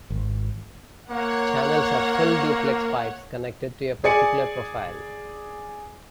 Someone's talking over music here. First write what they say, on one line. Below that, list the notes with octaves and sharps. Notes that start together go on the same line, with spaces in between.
Channels are full-duplex pipes connected to a particular profile.
G#1
A#3 C#5 F#5
G#4 D5 G#5 C#7